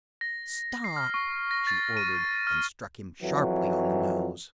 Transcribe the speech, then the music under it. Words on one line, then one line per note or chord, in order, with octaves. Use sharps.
"Stop!" she ordered, and struck him sharply on the nose.
A#6
C7
F6
C#6
A#6
A6
D#7
F6
F2 E3 F#3